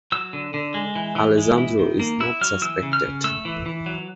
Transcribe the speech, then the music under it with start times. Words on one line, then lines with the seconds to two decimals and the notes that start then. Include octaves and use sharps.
Alessandro is not suspected.
0.12 F#3 E6
0.33 D3
0.54 D3
0.74 G#3
0.96 E3
1.16 E3
1.38 G#3
1.58 E4
1.79 D#3
2.00 A#3
2.20 E4 E6
2.41 F#3 F6
2.62 E3 E6
2.82 C#3
2.93 F6
3.04 C#3
3.24 A3 E6
3.45 E3
3.66 E3
3.86 F#3